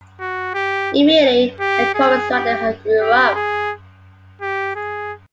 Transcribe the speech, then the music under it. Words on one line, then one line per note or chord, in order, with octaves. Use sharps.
Immediately, a cult surrounding her grew up.
F#4
G4
G4
G#4
G4
G4
G#4
G4
G#4